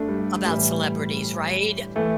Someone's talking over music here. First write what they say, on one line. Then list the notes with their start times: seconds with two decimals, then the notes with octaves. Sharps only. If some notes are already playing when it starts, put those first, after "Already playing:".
about celebrities, right?
Already playing: G2 A3 D4
0.08 G3
0.46 A2 E3 G3
1.96 E3 A3